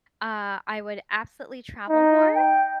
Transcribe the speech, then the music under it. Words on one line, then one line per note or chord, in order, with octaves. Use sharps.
Uh, I would absolutely travel more,
D#4
G5